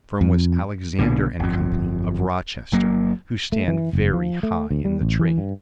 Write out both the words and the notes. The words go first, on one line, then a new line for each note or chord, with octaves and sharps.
The firm was Alexander & Company, of Rochester, who stand very high in the trade.
F2
B1 B2 D3
G1 F2
G1 F#3 A#3
A3
E3
F#1
F3
A3
D2
G3
A1
E3
G2